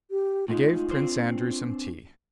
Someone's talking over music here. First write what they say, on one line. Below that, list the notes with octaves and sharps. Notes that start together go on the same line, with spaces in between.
They gave Prince Andrew some tea.
G4
A2 G#3 D#4 F4
C4 D4 C5